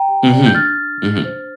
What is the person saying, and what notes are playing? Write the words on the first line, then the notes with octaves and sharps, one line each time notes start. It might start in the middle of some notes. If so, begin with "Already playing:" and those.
Mhm. Mhm.
Already playing: G5 A#5
G4
D5
G6
D4 F6 A6
D4
D4
C5